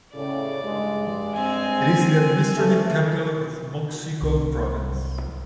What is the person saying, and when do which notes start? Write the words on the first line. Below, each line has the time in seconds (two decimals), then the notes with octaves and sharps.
It is the administrative capital of Moxico Province.
0.14 A2 C#3 D5
0.63 G2 G#3
1.35 C4 G#5
2.56 G2 C#3 A3
4.22 C2